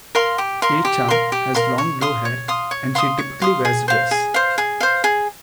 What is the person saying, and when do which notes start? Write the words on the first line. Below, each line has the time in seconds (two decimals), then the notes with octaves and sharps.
A-chan has long blue hair and she typically wears a dress.
0.15 A#4 F5 C6
0.38 G4
0.62 A#4 F5 C6
0.85 G4
1.08 A#4 F5 C6
1.32 G4
1.55 A#4 F5 C6
1.78 C#5
2.01 F5 C6 D#6
2.25 C#5
2.48 F5 C6 D#6
2.71 C#5
2.95 F5 C6 D#6
3.18 C#5
3.42 F5 C6 D#6
3.65 G#4
3.88 C5 F5
4.11 G#4
4.34 C5 F5
4.58 G#4
4.81 C5 F5
5.04 G#4